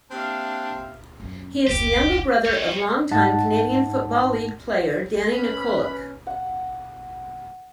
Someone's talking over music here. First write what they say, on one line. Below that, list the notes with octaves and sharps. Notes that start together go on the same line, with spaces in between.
He is the younger brother of longtime Canadian Football League player Danny Nykoluk.
A#3 C4 D4 G4 E5 F5
F#2 C#4
F1 C#2 G4
B3 C4 C#5
G#2 D#4 F#5 A5
C#4 B4 B5
F#5